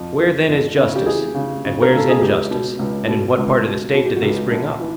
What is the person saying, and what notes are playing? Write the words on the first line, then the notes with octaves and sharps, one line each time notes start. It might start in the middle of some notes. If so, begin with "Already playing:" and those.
Where, then, is justice, and where is injustice, and in what part of the State did they spring up?
Already playing: F2
E3
F2
C#3
G4
E3 G#4
C#3
C#3
A#4
C#3 A4
G#4
C#2 G4
B2
C#2
B2
C#2
B2
B2 F#4
G4
F#4
C#2
A#1
E3